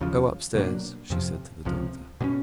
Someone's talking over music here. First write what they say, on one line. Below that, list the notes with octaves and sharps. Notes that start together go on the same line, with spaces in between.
"Go upstairs," she said to the doctor.
D#2 C#3 F3
B2 F#3 A#3 D4
F2 C3 F3
C#2 C3 F3
B2 G#3 C#4